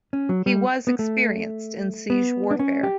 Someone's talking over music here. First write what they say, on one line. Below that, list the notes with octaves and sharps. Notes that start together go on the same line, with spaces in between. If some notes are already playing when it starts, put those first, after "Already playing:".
He was experienced in siege warfare.
C#4
F#3
G3
B3
A3
B3
D4
C#4
G4